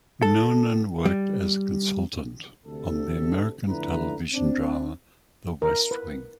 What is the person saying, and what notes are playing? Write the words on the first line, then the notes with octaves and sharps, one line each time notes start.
Noonan worked as a consultant on the American television drama "The West Wing".
A4
G3
D2 C3 A4
F2 D3 A3 E4 B4 A#5
C4 D4
A#4
B4